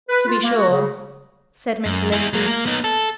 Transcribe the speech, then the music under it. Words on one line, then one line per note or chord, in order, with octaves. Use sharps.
"To be sure," said Mr. Lindsey.
B4
F4
A#3
F#4
C#3
F#2
E4 G#4
F#3 A#3
A#3
B3 D#4
A4